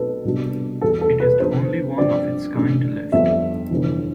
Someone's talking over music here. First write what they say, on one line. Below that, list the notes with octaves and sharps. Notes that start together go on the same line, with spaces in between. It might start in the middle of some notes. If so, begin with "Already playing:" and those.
It is the only one of its kind left.
Already playing: B1 B2 A3 C4 A4 B4
C2 B2 G3 B3 D4
E2 B2 G3 A4
A4
B4
G2 F3 B3 C5
G2 F3 C4 D5
A1 G2 D3 A3 D4
G1 F2 D3 G3 B3 E5
G1 F2 C3 E3